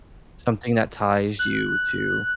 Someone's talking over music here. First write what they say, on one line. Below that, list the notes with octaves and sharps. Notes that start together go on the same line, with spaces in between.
something that ties you to
F#6